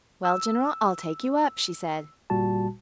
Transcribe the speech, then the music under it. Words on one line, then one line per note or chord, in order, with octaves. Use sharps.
"Well, general, I'll take you up," she said.
E6
G1 A#2 G3 F#4 A5